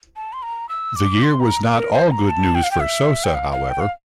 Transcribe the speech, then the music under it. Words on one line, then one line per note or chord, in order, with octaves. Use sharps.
The year was not all good news for Sosa, however.
A5
C6
A#5
E6
D6
C6
A#5
A#4
C5
A#5
A5
G5
F5
G5
E5
G5
F5
F5
G5
F5